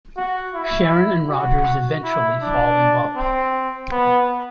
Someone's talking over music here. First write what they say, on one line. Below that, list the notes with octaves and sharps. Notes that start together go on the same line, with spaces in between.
Sharon and Rogers eventually fall in love.
F#4
E4
F#4
E4
D4
C4
B3